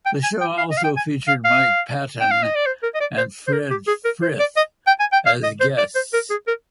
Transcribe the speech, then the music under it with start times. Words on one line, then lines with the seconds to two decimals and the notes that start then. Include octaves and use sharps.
The show also featured Mike Patton and Fred Frith as guests.
0.06 G5
0.23 G#5
0.41 G5
0.58 F5
0.71 D#5
0.78 F5
0.84 G5
0.97 G#5
1.28 F5
1.45 F5
2.20 G5
2.31 F5
2.43 D#5
2.55 D5
2.67 C5
2.83 A#4
2.95 D#5
3.00 D5
3.18 C5
3.48 C5
3.52 A#4
3.71 G4
3.87 G#4
4.05 A#4
4.22 C5
4.40 D5
4.57 D#5
4.87 G5
5.00 G#5
5.13 G5
5.26 F5
5.43 D#5
5.61 C5
5.78 D5
5.95 C5
6.13 A#4
6.30 G#4
6.48 A#4